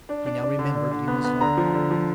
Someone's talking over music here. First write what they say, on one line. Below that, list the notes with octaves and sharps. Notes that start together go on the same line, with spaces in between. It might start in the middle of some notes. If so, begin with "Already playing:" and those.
He now remembered Lena's letter.
D4
D4
D4
D3
D3
D3
B3
B3
D3 A#5
F3
D3
F3